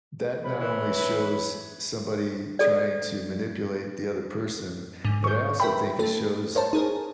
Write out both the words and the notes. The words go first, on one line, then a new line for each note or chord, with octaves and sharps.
that not only shows somebody trying to manipulate the other person, but I also think it shows
C3 C#5 B5
E3
A4 D5
G#2 D3
C#6 G6
A#4 B4 E5 G5 B5
A3 A4
A#4 C5 C#5 A5
D#4 G#4 A#4